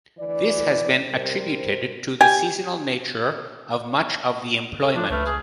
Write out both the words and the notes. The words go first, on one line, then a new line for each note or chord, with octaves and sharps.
This has been attributed to the seasonal nature of much of the employment.
D2 E3 D5
C3 G3 A#4 C5
G4 G#5
A4
F3 D4
C#2 A3 B4 F6
G#4